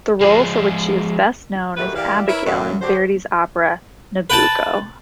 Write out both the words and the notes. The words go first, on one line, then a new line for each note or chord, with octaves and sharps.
The role for which she is best known is Abigaille in Verdi's opera "Nabucco".
F3 G#3
A#2 D#3 A3 F#4 G4 B4
E3 G4 A#4 D5 F5
E4 A#4 B4 C#5 E5
F#2 A2 D#3 F#3
D3 F#3 F#4 G4 C5
B4 G5 A5